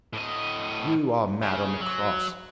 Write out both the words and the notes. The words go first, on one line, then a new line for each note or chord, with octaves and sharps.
You are mad on the cross.
A2 D#5
C#3
F#3